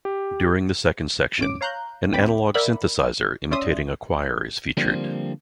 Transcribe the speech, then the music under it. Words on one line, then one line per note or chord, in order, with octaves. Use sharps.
During the second section, an analog synthesizer imitating a choir is featured.
G4
G#1 G#2 C#4 D6
C#5 F5 A#5 F#6 G6
D2 E3 C4 G5 B5 D6
A#4 D5 E5 F#5 B5
C#4 D5 E5 C6 D#6
D3 F3 G3 A#3 C4